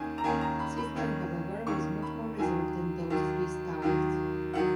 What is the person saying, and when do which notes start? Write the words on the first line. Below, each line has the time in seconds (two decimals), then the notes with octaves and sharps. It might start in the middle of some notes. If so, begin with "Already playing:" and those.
Sisler, however, was much more reserved than those three stars.
Already playing: D#2 D#3 A#3 C#4 G#5
0.18 A#5
0.23 D#2 D#3 A#3 C#4 G#5
0.41 A#5
0.59 B5
0.77 B5
0.96 D#2 D#3 A#3 C#4
1.66 D#2 D#3 A#3 C#4 C#6
2.02 B5
2.38 D#2 D#3 F#3 G#5
3.10 D#2 D#3 F#3
3.82 D#2 D#3 F#3
4.54 D#3 F#3 F#5